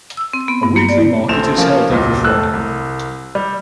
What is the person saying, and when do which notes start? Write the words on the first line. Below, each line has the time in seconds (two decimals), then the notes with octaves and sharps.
A weekly market is held every Friday.
0.17 E6
0.33 C4
0.48 B3
0.63 G2
0.76 A#3
0.89 D5
1.29 A#1 A3 C4 E7 F7
1.58 F3 A#3 C#4
1.89 E1 C#2 A#2
2.24 F1 A3 E6 F#6
2.53 C2
3.35 G3